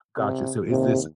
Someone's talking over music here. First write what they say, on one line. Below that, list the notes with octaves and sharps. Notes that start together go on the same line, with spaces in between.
Gotcha. So is this
C3
D#2 C3